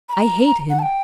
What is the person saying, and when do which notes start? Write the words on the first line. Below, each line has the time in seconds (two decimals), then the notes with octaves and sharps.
"I hate him!"
0.09 B5
0.13 A#5
0.70 F#5
0.79 A5
0.82 G5